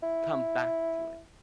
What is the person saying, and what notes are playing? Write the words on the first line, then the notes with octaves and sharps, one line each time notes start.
come back to it,
E4